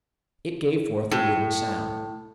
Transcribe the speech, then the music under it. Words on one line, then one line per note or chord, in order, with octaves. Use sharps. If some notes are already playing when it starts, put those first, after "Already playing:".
It gave forth a wooden sound.
A2